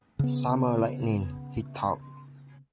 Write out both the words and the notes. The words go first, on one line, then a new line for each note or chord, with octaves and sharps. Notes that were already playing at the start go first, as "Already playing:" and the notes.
"Summer lightning," he thought.
C#3 B3